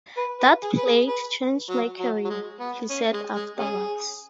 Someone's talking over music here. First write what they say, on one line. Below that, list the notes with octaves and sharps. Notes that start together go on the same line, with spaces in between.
"That play changed my career", he said afterwards.
B4
B4
G#4
B4
G#4
B4
F#3
F#3
F#3
G#3
B3
C#4
G#3
G#3
C#4 G#4